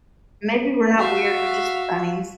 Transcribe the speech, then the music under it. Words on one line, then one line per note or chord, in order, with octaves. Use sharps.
Maybe we're not weird, we're just bunnies.
F#4 E5 F5